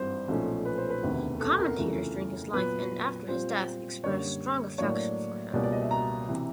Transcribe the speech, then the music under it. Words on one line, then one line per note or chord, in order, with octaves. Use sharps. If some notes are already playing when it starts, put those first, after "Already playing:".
Commentators during his life and after his death expressed strong affection for him.
Already playing: G#1 G2 E3 G3 C4 C5
B1 A#2 F3 A3 C#4
B4
C5
B4
E1 D2 C3 D#3
A4
A#4
F2 C#3 E3 A3
A#2 F#3 B3 B4
A#2 G3 C4 F4 C5
F#2 D3 G3 A#3 C#5
A2 F#3 A#3 D4 C#5
C#2 B2 G3 A#3 C#4 D5
D5
D#5
E5
A#5
C3 E3